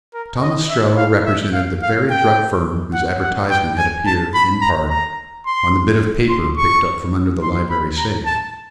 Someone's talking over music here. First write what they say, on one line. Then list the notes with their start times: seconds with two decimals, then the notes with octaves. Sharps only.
Tom Ostrello represented the very drug firm whose advertisement had appeared, in part, on the bit of paper picked up from under the library safe.
0.14 A#4
0.41 D#5
0.70 E5
0.97 F5
1.25 E5
1.53 F5
1.82 F5
2.10 G5
2.94 F#5
3.22 F#5
3.50 G5
3.78 G#5
4.06 A5
4.34 B5
4.62 A#5
4.90 A#5
5.46 C6
6.29 C6
6.57 C#6
7.42 C6
7.70 B5
7.98 A#5
8.26 A5